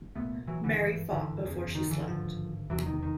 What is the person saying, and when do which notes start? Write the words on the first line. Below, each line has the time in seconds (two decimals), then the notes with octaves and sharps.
Mary fought before she slept.
0.15 C2 A#2 A3 B3
0.47 E3 F#3
0.64 D3 E3
0.79 G#1 G2 D3 E3
1.11 D3 E3
1.43 F#1 E2 C#3
1.75 D#3
1.91 D3 E3
2.06 G#1 G2 D3 F3
2.70 F1 E2 C3 E3 F#3
2.86 D#3
3.03 D#3